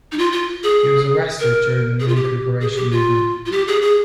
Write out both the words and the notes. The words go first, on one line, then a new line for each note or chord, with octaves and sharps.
He was arrested during the Non-Cooperation Movement.
D#4
F4
F4
G#4
A#4
G#4
F4
G4
G#4
G#4
G4
F4
F4
G4
G#4
G#4